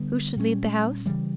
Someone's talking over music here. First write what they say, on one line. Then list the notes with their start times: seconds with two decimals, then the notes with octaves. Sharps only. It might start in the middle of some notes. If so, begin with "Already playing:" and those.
Who should lead the House?
Already playing: D3 G3 B3
0.36 A#2 G3 C#4
1.06 C#3 E3 G3